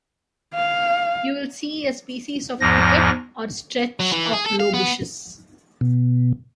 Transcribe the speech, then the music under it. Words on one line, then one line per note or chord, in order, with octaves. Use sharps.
You will see a species of thicket, or stretch of low bushes.
F5
E2 G#2 F3 A#6
F#3
E3
G#4
A4
F5
B3
B2